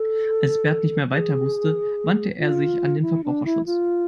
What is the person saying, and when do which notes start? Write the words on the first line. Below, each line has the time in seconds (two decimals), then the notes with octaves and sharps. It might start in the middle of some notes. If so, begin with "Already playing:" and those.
Als Bert nicht mehr weiter wusste, wandte er sich an den Verbraucherschutz.
Already playing: A4
1.12 G#4
2.39 F4
3.02 E4
3.24 D4
3.45 E4
3.66 F4